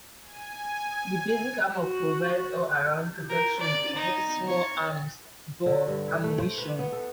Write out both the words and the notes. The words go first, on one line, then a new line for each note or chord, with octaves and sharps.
The basic armour provides all-around protection against small arms ball ammunition.
G#5
F#4
A#4
D5
D#4
C#5
D3
G2
E4
A3
C5
B4
B3
A4